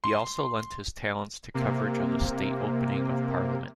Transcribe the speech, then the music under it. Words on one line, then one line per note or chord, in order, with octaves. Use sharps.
He also lent his talents to coverage of the State Opening of Parliament.
C6
C3 A#3